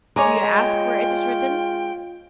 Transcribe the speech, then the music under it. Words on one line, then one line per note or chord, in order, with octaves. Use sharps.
Do you ask where it is written?
G#3 C#5 G#5 A#5 D6
F4 G5